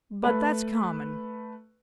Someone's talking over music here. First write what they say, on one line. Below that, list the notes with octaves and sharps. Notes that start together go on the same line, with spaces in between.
'But that's common.
A3 B4